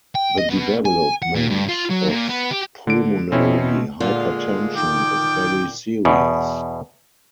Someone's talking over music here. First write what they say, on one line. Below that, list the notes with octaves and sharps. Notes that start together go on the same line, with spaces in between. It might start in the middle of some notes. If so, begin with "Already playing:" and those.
The development of pulmonary hypertension is very serious.
G5
D#5
B2
G#5
F#5
A#2
G2
F4
F#3
A#2
B3
G4
D3 D7
B2 C4 C#4 E4
A#2 D3 F4
G#3
D#3 G5 D6
E2 B2